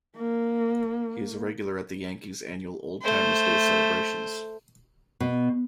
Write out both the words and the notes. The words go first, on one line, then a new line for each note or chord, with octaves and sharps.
He is a regular at the Yankees' annual Old-Timers' Day celebrations.
A#3
A3 C5
B2